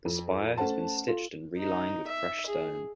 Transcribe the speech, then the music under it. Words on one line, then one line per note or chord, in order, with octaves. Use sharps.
The spire has been stitched and relined with fresh stone.
F2
A3 C#4 C5 F#5 A5
F4 A4
D#4
E5
G#4